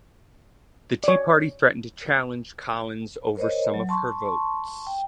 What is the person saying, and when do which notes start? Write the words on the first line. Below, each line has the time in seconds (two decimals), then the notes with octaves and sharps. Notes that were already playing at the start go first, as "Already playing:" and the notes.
The Tea Party threatened to challenge Collins over some of her votes.
1.04 C#5 D5
3.37 A#4 C5 C#5 D#5
3.74 F#3
3.89 A5 C6 C#6
4.87 G5